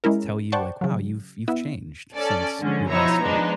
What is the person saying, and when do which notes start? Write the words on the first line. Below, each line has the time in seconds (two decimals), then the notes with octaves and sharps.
t tell you, like, "Wow, you've you've changed since we last spoke?"
0.04 G#3 C#4 E4 A#4
0.52 C5 D5 F#5 G5 A5 C#6
0.81 C#3 F#3
1.48 B3 E4 E5
2.14 C#4 A4 D5 A5
2.60 D3 F3 G#3 C#4
2.89 B2 F3 D#4 E4 C#5 A#5
3.22 F3 G#3 B3 D4 D#4